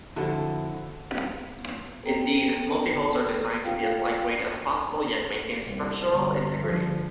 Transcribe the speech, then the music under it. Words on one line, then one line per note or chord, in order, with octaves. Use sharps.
Indeed, multihulls are designed to be as light-weight as possible, yet maintain structural integrity.
F2 D3 E4 F#4 A4
B3 A4 G5 A#5
F4 F5 G5
C2
G1 G3
D3 F3